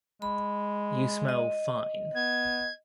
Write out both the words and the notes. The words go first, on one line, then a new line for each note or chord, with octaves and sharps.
You smell fine.
G#3 B5
D#5
B3 G#6